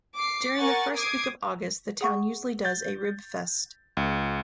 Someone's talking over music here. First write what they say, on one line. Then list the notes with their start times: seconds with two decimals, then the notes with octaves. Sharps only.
During the first week of August the town usually does a rib fest.
0.15 D6 C7
0.57 A#4 F#5 G#5 C#6 A6
0.95 D6 D#6 G#6 C7 D7
2.01 G#4 F#5 C#6
2.65 G6 A6
3.97 C#2